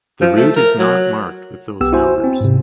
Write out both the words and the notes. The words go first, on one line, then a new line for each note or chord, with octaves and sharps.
The route is not marked with those numbers.
F3
A3
A#4
F#3
B1 B3 G4 E6
E4 F#4 C5 G#5
C4
G#2 C3